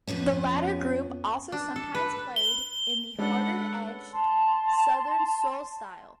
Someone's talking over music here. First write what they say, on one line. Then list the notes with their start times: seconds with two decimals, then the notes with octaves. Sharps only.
The latter group also sometimes played in the harder-edged Southern soul style.
0.07 F2 F3 B3 C#4
1.52 D4
1.76 A4
1.95 B4
2.36 G7
3.19 G#3 C#4 D4 A4 B4 D5 F#5
4.12 A5 C6